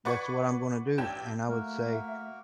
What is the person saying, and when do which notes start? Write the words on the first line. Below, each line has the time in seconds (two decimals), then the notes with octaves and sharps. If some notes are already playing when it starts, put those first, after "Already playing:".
that's what I'm gonna do," and I would say,
0.05 B4 D5 F#5 C#6 G#6
0.98 A1 D4 G5 G#6 E7
1.49 A3 A#3 F#4 A#4 E5